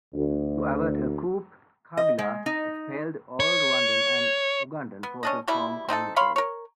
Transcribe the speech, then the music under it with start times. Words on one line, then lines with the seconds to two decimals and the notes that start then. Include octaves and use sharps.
To avert a coup, Kabila expelled all Rwandan and Ugandan forces from the Congo.
0.14 D2
1.97 D#5
2.19 G#3
2.46 D#4
3.40 C#5
5.03 B3
5.23 C#4 D4 D#5
5.48 B2 G3 E4
5.89 C4 D#4 F4 A4
6.16 C#5 F5 B5 C6
6.36 A#4 C#5